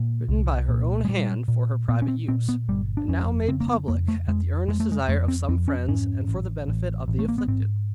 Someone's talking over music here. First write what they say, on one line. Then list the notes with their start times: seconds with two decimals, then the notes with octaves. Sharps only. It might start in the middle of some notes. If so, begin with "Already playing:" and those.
Written by her own hand for her private use, and now made public at the earnest desire of some friends, and for the benefit of the afflicted.
Already playing: A#2
0.29 C2
0.68 A#2
1.05 G#3
1.09 A#2 G3
1.48 A#2
1.88 A#2 B3
2.02 C#4
2.08 C4
2.28 A#2 C4
2.49 B3
2.68 G1 G3
2.97 D4
3.08 F2 C#4
3.48 C#3 C4
3.60 A#3
3.68 B3
3.88 F2 A#3
4.08 A3
4.28 F2 G#3
4.68 F2 G#3
4.80 A3
4.92 G#3
5.08 F2 A3
5.28 C4
5.49 F2 C4
5.68 C#4
5.88 G#2 C#4
6.28 A1
6.68 A1
7.08 A1
7.19 A3
7.28 A#3
7.38 B3
7.48 G#2 C4